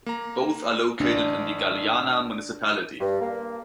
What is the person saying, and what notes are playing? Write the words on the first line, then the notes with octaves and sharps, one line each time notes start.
Both are located in the Galeana municipality.
A#3 A#5
A1 D4
G2
A#3